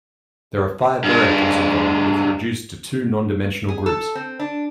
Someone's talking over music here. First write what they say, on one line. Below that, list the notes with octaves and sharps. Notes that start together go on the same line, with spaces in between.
There are five variables involved which reduce to two non-dimensional groups.
G2 G#3
G#4
A4
C4
D4